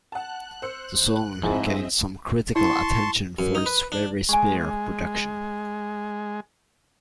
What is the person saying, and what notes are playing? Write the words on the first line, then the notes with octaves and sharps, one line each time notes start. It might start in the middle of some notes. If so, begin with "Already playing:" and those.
The song gained some critical attention for its very spare production.
F#5 A5 F#6
C5 E6 C#7
G#2 F3 G#3 C4 E4 G#4 D#5 E5
E4 A5 C6 C#6
F#2
D#4
B4
D4
G#3 G#5 C#6